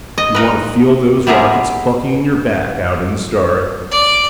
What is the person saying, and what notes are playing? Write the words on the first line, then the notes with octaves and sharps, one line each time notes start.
You want to feel those rockets bucking in your back out in the stars?
D#5
D#4 A#4 B4
G3 B3 E4 G#4 A#4
D5